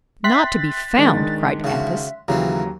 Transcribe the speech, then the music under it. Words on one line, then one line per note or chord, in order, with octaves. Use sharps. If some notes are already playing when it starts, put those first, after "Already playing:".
"Not to be found!" cried Athos.
E5 G5 C6 F#6 A6 B6
D#3 G#3 D4
C#3 F#4 E5
D#2 C#3 E3 F#3 C4 G4 A#5